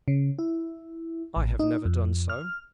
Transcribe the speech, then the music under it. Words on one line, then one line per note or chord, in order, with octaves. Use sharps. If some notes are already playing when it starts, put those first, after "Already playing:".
"I have never done so."
C#3
E4
A1
D#4
F2
F6